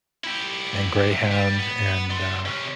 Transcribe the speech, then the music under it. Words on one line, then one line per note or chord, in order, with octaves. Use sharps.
and Greyhound and, uh,
E4 G4
C3
G3
B3
D5 C6
C3 C#4